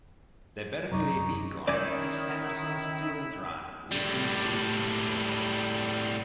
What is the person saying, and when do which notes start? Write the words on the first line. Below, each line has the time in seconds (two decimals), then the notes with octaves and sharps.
"The Berkeley Beacon" is Emerson's student-run, weekly print newspaper.
0.92 C2 F#2 D#4 A#5 C#6 D6
1.68 D#3 C#4 E4 D5 G#5
3.91 A2 G3